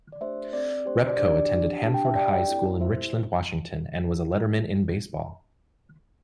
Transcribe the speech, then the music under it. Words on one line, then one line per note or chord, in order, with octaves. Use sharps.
Repko attended Hanford High School in Richland, Washington, and was a letterman in baseball.
D5
A3 D4 G4 C5 E5
C4 A4 D5
A3 D4 G4 C5
D5
D4 G4 D5
D4 G4
D4 G4 A5
G5
E5
D4 G4 D5 G5
A3 C4 E4 A4
A3 E4 G4 C5 E5